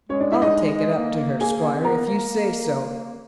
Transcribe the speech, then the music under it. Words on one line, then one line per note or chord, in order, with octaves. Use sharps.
I'll take it up to her, squire, if you say so.
G#3 C#4 C#5
D4 D5
E4 E5
D#4 D#5
A#3
G#4 G#5
C4
B3 A#4 A#5
A#3
A#3